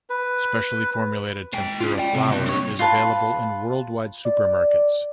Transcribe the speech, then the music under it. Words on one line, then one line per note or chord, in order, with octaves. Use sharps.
Specially formulated tempura flour is available in worldwide supermarkets.
B4
G#3 G5
C#4 F4
D5 G5
C3
D#2
G2 C#5
F4 B4 A5
D5